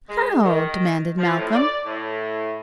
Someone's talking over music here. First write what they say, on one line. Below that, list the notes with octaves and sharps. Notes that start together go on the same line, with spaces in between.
"How?" demanded Malcolm.
G#3
D#3
F3
A2
D5
A2